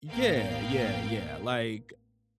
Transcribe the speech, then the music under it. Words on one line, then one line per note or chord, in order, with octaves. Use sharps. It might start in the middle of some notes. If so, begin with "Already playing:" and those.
Yeah, yeah, yeah. Like,
A1 A#3 B3 A#4 F5 G5